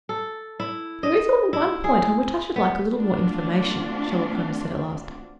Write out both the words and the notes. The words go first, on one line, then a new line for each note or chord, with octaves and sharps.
"There is only one point on which I should like a little more information," Sherlock Holmes said at last.
A4
E4
D#5
E4
G#4
B3
E3 A3 C4 D4 F4 F#4